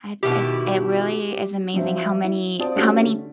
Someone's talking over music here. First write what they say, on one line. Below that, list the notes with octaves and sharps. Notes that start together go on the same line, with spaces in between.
I it it really is amazing how many how many
B2 D#3 E4 G4
F3 F#3 C4 D4 C5 E5
E4
C4 F4 C5 D5 A5 D#6
G3 A3 C#4 D4 F#4
D3